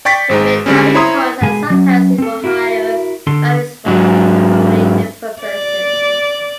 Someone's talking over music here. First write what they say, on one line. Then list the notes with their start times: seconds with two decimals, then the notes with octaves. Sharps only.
Bimetallic coins are sometimes used for higher values and for commemorative purposes.
0.05 D5 G5 C#6 A6 B6
0.29 G#1 G#3 D#4
0.66 D3 G3 G#3 C4 C#4
0.95 E4 C5 C#5 A#5 C6 D#6
1.42 B2 G#3 G#4 G#5 B5
1.70 F#3 C#4
2.18 C4 A4
2.44 E4 F#4 A#4
3.27 D3 A4 C6
3.86 G#2 F#3
5.42 D5